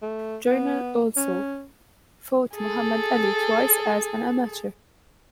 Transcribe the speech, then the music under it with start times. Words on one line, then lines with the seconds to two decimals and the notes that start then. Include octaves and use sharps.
Joiner also fought Muhammad Ali twice as an amateur.
0.02 A3
0.47 B3
1.17 C#4
2.54 G#4 A4